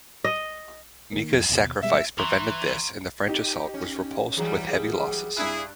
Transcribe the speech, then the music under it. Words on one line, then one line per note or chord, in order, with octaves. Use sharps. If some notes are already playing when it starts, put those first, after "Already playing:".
Micca's sacrifice prevented this, and the French assault was repulsed with heavy losses.
D#5
D#3 A#3
F2
D#2 B2
B2 G3 G#3 E5
E3 A#5 C6 C#6
D#4 G4
C#4
E3 F#3 G3 G#4
G#4
G2 D4 E4 G#4 F#6